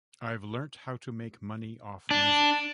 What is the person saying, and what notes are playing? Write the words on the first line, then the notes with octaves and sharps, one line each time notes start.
I've learnt how to make money off music.
D4